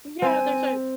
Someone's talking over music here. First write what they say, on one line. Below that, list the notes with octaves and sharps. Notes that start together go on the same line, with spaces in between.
Yeah, there's a
C4 G#5